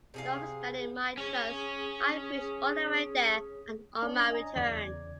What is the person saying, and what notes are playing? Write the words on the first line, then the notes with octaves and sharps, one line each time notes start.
Notwithstanding my trust, I preached all the way there and on my return.
C3 G#4 F5
C#4 G#4 C#5
C#4 D4
D#5 G#5 A#5
E2 C#3 D5 G#6